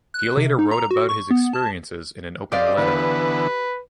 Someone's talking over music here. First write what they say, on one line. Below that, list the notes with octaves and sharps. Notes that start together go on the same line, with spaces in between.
He later wrote about his experiences in an open letter.
F#6
C3
D#4
A#5
F#4
C#6
B3
A5
C4 G4 D5 D#5 F5 D6
D3 E3 B3 B4